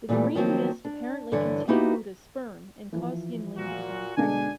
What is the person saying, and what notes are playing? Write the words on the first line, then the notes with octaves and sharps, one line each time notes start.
The green mist apparently contained Muta's sperm and caused Yinling to become pregnant.
A#2 D3 E3 G3 A3
D#3 F3 F#3 A#3 C4
D4
G2 D3 E3 C#5
A#3 B3 D#4 E4 F#4 G4
E3 F3
A#2 F#4
B2 D3 G#3 D4 G#5